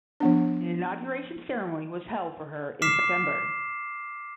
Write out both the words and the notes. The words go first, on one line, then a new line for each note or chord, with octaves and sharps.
An inauguration ceremony was held for her in September.
F3 B3 D4
D6 F6 B6 C7 E7